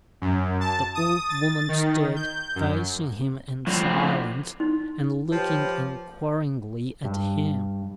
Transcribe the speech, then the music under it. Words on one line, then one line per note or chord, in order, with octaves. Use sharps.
The old woman stood facing him in silence and looking inquiringly at him.
F#2
A5
D#6
A6
D#3
G6
F#2
A2 D3 F3 C4
D#4
F3 G4 B4 C#5
G2